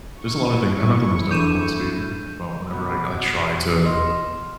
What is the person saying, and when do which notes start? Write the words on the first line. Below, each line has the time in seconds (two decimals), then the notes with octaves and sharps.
there's a lotta thing I'm not the most eloquent speaker, but whenever I I try to
0.20 E4 C#6
1.31 D4 A4 D6 G6 D#7 E7
2.71 B2 B3
3.85 D#5 C6 F6
4.07 E7